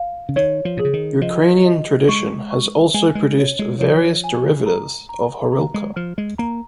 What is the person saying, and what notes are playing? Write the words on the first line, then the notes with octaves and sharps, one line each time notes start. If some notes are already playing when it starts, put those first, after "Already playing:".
Ukrainian tradition has also produced various derivatives of horilka.
Already playing: F5
C#3
D#3 C#5
F3
A#2 G#4
C#3
D#3
F3 D#5
D#5
G#3 C#6
C#6
G#3 G#5
G#3
C#5
G#3
F3 C#5
G#5
A#5
A#5
A#5
G#3
F3 F6
G#3
A#3 A#5